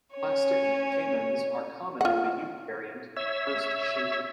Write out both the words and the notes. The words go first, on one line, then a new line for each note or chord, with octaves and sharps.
Plastic camans are common in the youth variant "First Shinty".
C#4 C#5
F4 F#5
C#5 E5 E6